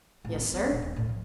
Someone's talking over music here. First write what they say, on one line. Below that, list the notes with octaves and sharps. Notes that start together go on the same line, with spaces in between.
"Yes, sir."
A1
B3
B3
D#1
D#2
A2
F3